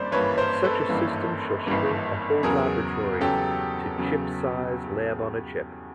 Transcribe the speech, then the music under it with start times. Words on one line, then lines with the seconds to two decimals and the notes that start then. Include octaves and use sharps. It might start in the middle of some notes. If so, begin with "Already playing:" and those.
Such a system shall shrink a whole laboratory to chip-size lab-on-a-chip.
Already playing: G#1 G2 G3 A#3 C5 D5
0.11 G#1 G2 E3 G3 A#3 B4 C#5
0.38 A#4 C5
0.64 A4 B4
0.89 G#1 G2 E3 G3 A#3
1.66 G#1 G2 E3 G3 A#3
2.43 E2 C#3 F#3 G#4 A#4
3.20 E2 C#3 F#3 G4 A4
3.98 E2 C#3 F#3